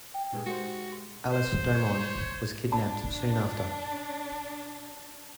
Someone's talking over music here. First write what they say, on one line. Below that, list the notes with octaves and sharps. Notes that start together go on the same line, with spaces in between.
Alice Domon was kidnapped soon after.
G5
A#2 G#3 D#4 G4 G#4 B4
G#3 F#4 G4 A#4 C5
G4
C6
C5
C#5
D4 A5 B5